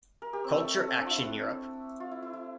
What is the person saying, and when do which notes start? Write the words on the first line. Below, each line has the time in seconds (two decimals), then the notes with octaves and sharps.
Culture Action Europe.
0.22 A#4
0.33 G4
0.44 C4
0.55 A3
0.67 A3
0.77 A3
0.88 C4
1.00 D4
1.06 E4 F4
2.00 F4
2.11 E4
2.22 E4
2.33 E4